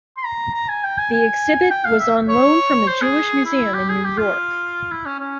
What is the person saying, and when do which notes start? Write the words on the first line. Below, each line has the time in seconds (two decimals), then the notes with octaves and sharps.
The exhibit was on loan from the Jewish Museum in New York.
0.17 C6
0.25 A#5
0.54 A#5
0.68 G#5
0.84 G5
0.98 G#5
1.12 G#5
1.70 G5
1.85 F5
1.99 E5
2.28 C#5
2.87 C5
3.01 G#4
3.45 E4
3.74 G4
3.89 G#4
4.04 G4
4.18 F4
4.91 E4
5.06 C#4
5.20 C#4